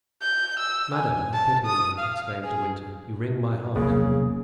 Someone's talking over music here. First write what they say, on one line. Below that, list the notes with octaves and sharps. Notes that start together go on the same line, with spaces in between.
"Madame, have pity on me," exclaimed De Winter; "you wring my heart!"
G6
E6
G#5
A5
D#6
F5
G#4
F1 B1 E2 C#3 A#3 G#4